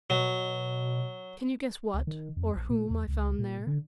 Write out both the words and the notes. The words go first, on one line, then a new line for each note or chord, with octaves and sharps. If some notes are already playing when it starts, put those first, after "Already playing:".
Can you guess what, or whom, I found there?
B2 F#3
C#2
D#3
F2
A#1
A#2
E2
C#2
A#2
D3